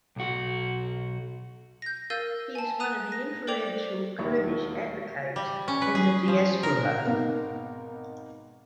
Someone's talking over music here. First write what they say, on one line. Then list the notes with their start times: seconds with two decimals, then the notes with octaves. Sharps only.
He is one of the influential Kurdish advocates in the Diaspora.
0.16 B1 F#4
1.82 G6 A#6
2.10 A#4 F5 E6 G6 A6 D#7
2.55 G#5 A5
2.80 A#5 D#6 F#6 D#7
3.12 A#6
3.47 A4 C5 D5 G5 D6 F7
4.18 E1 D#2 D#3 E5 C#6
5.36 G3
5.68 C#4
5.82 B4
5.95 G#4
6.28 F3
6.63 A#4
7.05 G#1 B2 B3 D#4 A#4 F5